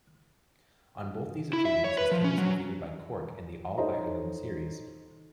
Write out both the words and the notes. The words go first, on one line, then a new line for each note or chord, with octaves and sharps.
On both these occasions his team was defeated by Cork in the All-Ireland series.
E4
E5
C#5
B4
F3
C#4
F#3
D#4 A4 C5 C#5 D#5 A#5